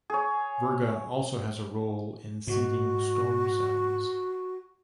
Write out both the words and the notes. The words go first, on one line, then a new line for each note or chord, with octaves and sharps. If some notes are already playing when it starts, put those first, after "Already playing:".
Virga also has a role in seeding storm cells.
G#4 C#5
G#2 F#4